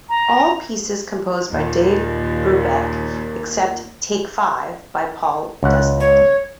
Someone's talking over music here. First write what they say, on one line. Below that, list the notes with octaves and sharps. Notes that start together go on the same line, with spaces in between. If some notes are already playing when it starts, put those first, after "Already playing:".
All pieces composed by Dave Brubeck, except "Take Five" by Paul Desmond.
A#5
D#2 A#2
C#2 F#5
C#5